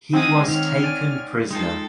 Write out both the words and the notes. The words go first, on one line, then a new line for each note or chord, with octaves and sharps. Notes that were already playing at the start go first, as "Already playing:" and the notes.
He was taken prisoner.
G#2 G#3 C4 D#6
D#3 C#5 F6
D5 G#5
G#3 D#4 F4 A4 G5